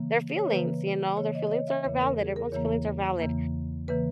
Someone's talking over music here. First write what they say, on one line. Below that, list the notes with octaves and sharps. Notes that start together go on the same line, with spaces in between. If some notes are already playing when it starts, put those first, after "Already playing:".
their feelings, you know? Their feelings are valid, everyone's feelings are valid.
Already playing: C#3 E3 A#3
C#5
C#3 E3 A#3 B4
C#3 E3 A#3 C#5
D#5
D#5
C#5
E5
E2 C#3 E3 A#3 C#5
A#4
G#4
A#4
E2 C#3 E3 A#3 C#5
E2 C#3 E3 A#3
C#3 E3 A#3 B4